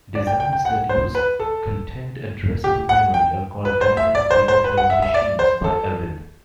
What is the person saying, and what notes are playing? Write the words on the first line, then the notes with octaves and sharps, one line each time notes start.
Designs that use Content-addressable memory are called dynamic dataflow machines by Arvind.
D5
G5
G5
G5
F#5
C5
B4
A4
G4
F#5
G5
B4
C5
E5
D5
C5
C5
B4
F#5
E5
E5
D5
C5
A4